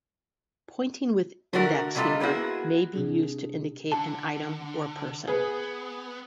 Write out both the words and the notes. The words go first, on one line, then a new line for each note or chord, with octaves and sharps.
Pointing with index finger may be used to indicate an item or person.
D3 A3 D4 F#4 A#4
C3 G3 C#4 F4 A4 D#5
A#3 B3 E4 F#4 G#4
C3 D4 G#4
D3 A5
B3 G#4 B4